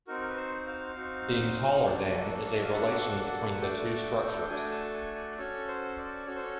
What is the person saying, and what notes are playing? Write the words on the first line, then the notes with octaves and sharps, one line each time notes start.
Being-taller-than is a relation between the two structures.
C4 D#4 F#4 A#4
A#4
B4
C5
F5
C4 D#4 F#4
A#3 D4 F#4 A4
F5
A#3 D4 F#4 A4 F#5
A3 D4 F#4 A4 G5
A3 D4 F#4 A4 G#5
A5
G#5
D5
C#4 F#4 A4 C#5
C5
D5
C#4 F#4 A4 C#5
C5
C#5